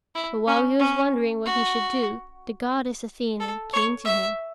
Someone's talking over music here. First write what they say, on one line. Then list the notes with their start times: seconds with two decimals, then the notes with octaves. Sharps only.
But while he was wondering what he should do, the goddess Athene came to him.
0.15 E4
0.47 C#4
0.80 C#4
1.45 F#4
3.40 A4
3.73 C#5
4.05 E5